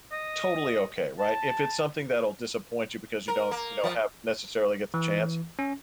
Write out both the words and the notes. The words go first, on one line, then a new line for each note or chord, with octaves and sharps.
totally okay, right? If it's something that'll disappoint you because you don't, you know, have necessarily get the chance,
D#5
A5
A#4
A#3
F3
E3
C#4